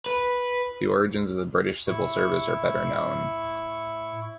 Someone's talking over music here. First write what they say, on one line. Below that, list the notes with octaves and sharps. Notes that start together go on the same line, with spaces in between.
The origins of the British civil service are better known.
B4
A2 E4 C#6